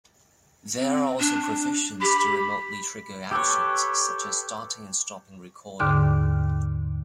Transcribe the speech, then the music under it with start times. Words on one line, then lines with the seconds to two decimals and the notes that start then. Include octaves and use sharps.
There are also provisions to remotely trigger actions, such as starting and stopping recording.
0.79 C4
1.19 D4
2.02 G4 B5
3.31 G4 A4 B4 C#5
5.80 D#2 G#2 D3 D6 F6